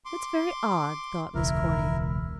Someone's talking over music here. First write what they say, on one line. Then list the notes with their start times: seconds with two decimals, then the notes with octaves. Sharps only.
"It's very odd," thought Miss Corny.
0.05 C6 D6
1.35 E1 C#2 E4 A#4